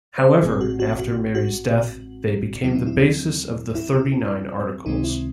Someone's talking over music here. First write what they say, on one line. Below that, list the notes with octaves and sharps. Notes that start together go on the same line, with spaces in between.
However, after Mary's death, they became the basis of the Thirty-nine Articles.
C5
A4
A1 A2 G#3 C4 G#4
F#4
F#4
F#4
F#4
D#2 D#3 F#3 C4 E4
D#4
E4
E4
C#2 C3 D#3 G#3 C4 D#4
E4